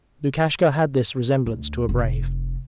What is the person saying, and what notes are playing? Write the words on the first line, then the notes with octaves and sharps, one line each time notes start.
Lukashka had this resemblance to a brave.
D2
F1